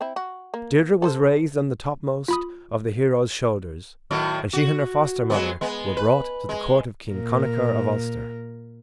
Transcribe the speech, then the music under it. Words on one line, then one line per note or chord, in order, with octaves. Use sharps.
Deirdre was raised on the topmost of the heroes' shoulders and she and her foster-mother were brought to the Court of King Connachar of Ulster.
C4 E4
F#4
A#3
A4 B4 C5
F4 B5 D#6
A2 D#3 F#3
F#4
F#3 G#3 B3
G#3 B3
B4
G#3
A#2 A#4